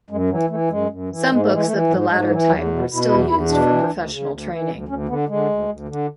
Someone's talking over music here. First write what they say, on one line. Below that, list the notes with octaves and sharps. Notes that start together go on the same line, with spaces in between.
Some books of the latter type are still used for professional training.
F#2 G#3
E3 F#3
E3 A3
F#2 G#3
F#2
E3
G#2 G#3
A3
E3 G#3
A3
E3 G#3
G#2 F#3
G#2 G#3
E3 F#3
E2 F#3
A3
B2
B3
B2 E4
E2 E4
E2 E4
B2 D4
E3
D2
C#3
D2
E3
D2
D2 C#4
D3 B3
D3 G#3
D2
D2
D3